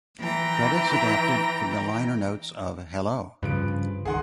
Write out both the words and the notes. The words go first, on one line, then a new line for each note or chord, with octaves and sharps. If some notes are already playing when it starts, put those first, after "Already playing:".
Credits adapted from the liner notes of "Hello".
E3 G5 A#5
G2 C#3 F3 B4 D7
C#2 D#3 G#4 F#5 C6